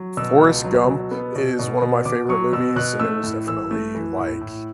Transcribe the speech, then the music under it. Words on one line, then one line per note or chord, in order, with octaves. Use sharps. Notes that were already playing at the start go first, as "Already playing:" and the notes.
Forrest Gump is one of my favorite movies, and it was definitely like
Already playing: F#3
B2 E6
C#2
F#3
B2
B3
B2
B2
B2
B2 D6
F#3 C#6
B2 E6
B2 F#6
A3 E6
A2
E3 E6
A3
E3
A2
A2